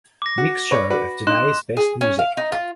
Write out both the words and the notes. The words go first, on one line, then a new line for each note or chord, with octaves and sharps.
Mix show of Today's Best Music.
D6 A#6
F#4
B4 C#5 D5
F#4 B4 D5
D#4 C6 F#6 E7
G#4
C#4
F5
D#4
F4